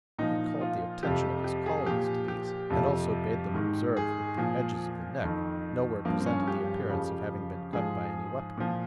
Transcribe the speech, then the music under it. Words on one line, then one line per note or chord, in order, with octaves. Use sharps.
He called the attention of his colleagues to these, and also bade them observe that the edges of the neck nowhere presented the appearance of having been cut by any weapon.
A#2 F3 D#4
F4
F2 C3 F3 G4
G4
G#4
A#2 F3 G4
G4
F2 C3 F3
G#2 D#3
G#4
A#2 F3
F2 D#3
G2 F3 A#3
C4
C#4
G4
F2 C#3 F3
G#2 F3 G#4
A#2 F3